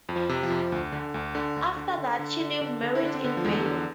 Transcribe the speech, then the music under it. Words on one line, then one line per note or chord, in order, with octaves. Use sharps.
After that she lived married in Berlin.
F2
F3
C3
F3
F2
D2
D3
D2
D3
D2
D3
D3
D3
D3
D3
D3
E4
D3 D4
C4
D3 B3
F3
E2 G#3
A3
D3